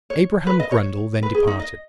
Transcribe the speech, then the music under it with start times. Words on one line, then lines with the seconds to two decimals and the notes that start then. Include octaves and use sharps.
Abraham Grundle then departed.
0.10 C#5
0.47 B4
0.60 D#5
0.72 C#5
1.23 B4
1.34 G#4
1.47 D#4
1.59 D#5